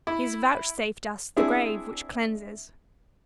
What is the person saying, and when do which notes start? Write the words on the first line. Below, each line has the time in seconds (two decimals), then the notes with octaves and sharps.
He has vouchsafed us the grave which cleanses.
0.07 E4
1.36 C4 D4 E4 G#4